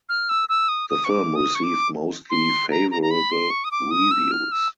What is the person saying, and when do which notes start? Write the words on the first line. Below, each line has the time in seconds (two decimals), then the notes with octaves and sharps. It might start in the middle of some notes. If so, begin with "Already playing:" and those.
The film received mostly favorable reviews.
0.09 F6
0.29 E6
0.49 E6
0.68 D#6
0.90 D#6
1.04 C#6
1.10 D6
1.36 D#6
1.55 C#6
1.63 D6
2.30 C6
2.71 A#5
2.91 A#5
3.02 A#5
3.11 B5
3.31 C6
3.50 C#6
3.64 D#6
3.71 D6
3.91 D#6
4.11 E6
4.32 F6
4.52 E6